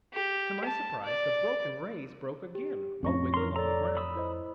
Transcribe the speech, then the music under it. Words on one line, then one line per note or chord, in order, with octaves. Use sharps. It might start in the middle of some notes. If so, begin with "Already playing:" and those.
To my surprise, the broken "rays" broke again while wriggling on the ground.
G4
A5
D5
G4
F2 A2 C4 C#4 C#6 A#6
A#4 C6
A4 C#5 D5 A#5 E6
B5 D#6 E6
E4 C5 D#5